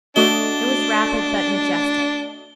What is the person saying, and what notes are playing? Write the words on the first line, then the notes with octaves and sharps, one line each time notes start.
It was rapid but majestic.
A3 D4 F#4 D#5 G7